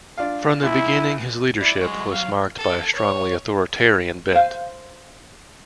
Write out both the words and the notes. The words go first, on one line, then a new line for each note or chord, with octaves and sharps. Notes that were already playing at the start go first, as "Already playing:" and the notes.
From the beginning his leadership was marked by a strongly authoritarian bent.
D4 F4 F5
C#2 E4
E4 D5
C2 F#3 G#3
F5
A4
C#5
C5 F5